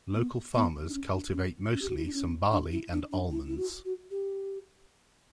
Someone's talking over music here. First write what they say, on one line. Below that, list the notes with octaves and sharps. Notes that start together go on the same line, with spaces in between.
Local farmers cultivate mostly some barley and almonds.
B3
B3
D4
C#4
D4
C#4
C#4
G4
F#4
E4
D4
C#4
D4
E4
D4
D4
E4
E4
F#4
F#4
G4